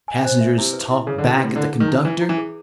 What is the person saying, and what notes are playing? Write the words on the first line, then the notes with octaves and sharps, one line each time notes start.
Passengers talk back at the conductor.
G#5
C5
E5
C3 E4
B4
E4
C#3 G#4
D3
E4
C3
A2 B4
D3 E4
G#4
D#3
E4
E3 B4
E4
E3
G#4